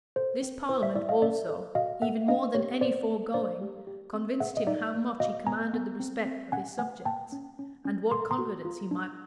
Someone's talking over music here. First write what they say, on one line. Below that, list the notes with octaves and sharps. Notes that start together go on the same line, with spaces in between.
This parliament also, even more than any foregoing, convinced him how much he commanded the respect of his subjects, and what confidence he might repose in them.
A4 C5
C4
E4 C5
D5 E5
E4 D5 E5
D#5 F5
C#4 D5 E5
A4
F#4 D#5 F5
A4 E5 F#5
D4 D#5 F5
G4 C#5
C4 C5 D5
A3
D4 C5 D5
G4
G4
C4
G#4 E5 F#5
D#5
D#4 D5 E5
A#3
F#4 D#5 F5
B3 G#5 A#5
B3
C4
C4
C#4 F#5 G#5
A3 F#5 G#5
A#3 G5 A5
C#4
C#4
C#4
A4 C6
A#5 C6
F#4
F4
D4